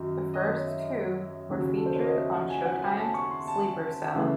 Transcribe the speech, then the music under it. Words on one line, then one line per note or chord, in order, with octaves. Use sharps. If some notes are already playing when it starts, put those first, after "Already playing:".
The first two were featured on Showtime's "Sleeper Cell".
Already playing: F#2 D#3 F#3
D#5
C#5
D#5
E5
D#5
D#2 C#3 F#3
A4
C5
C#5
D#5
E5
F#5
G#5
F#5
G#5
A5
C#6
C6
A5
C#3 E3 A3